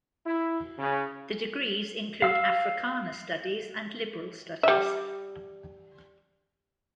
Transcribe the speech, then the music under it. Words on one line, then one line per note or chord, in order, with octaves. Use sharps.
The degrees include Africana Studies and Liberal Studies.
E4
C#3
F5 E6
G3 E5